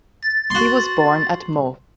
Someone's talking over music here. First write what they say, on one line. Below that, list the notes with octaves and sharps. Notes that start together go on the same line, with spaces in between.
He was born at Meaux.
A6
F#4 C6